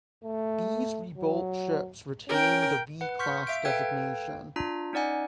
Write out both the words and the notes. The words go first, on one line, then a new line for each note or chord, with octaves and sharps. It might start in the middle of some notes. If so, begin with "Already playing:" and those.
These rebuilt ships retained the V-class designation.
A3
F#3
C#4 A#4 G5
B4 F#5
C6 C#6 F6 G6 B6 C#7
E5 F5 D7
A4 B4 F5 G5 G#6
D4 F4 A#5
C#4 D#4 D5 F#5 G#5